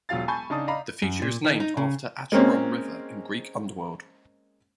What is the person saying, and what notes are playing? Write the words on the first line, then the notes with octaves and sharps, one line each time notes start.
The feature is named after Acheron River in Greek underworld.
E1 F#3 F4 F5 A6
G#5 A5 B5 C#6 G6
C#3 D4 D#4 A5 D#6
D5 D#5 F5 A#5 B5
F#2
A#2
D#3
D#4
C#3
G#3 A#3 C4 C#4